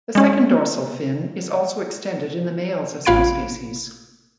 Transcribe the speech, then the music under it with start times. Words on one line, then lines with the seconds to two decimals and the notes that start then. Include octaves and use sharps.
The second dorsal fin is also extended in the males of some species.
0.15 G#3 C#4
3.05 A1 F4 F5 B5 G#6 D7